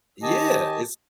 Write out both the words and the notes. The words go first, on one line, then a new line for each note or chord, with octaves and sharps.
Yeah, it's
D#3 G4 D#5 G#5 A5